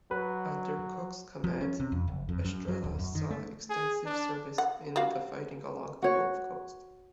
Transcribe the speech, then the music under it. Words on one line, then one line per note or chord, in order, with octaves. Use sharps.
Under Cooke's command, "Estrella" saw extensive service in the fighting along the Gulf Coast.
F#3 B4
F3
C#4
C3
F2
F#1
F2
F#2
F#3
D#1
F#2
D#3
A3
G#4
D4
F#5
G3 F#4 F5
F#4 C#5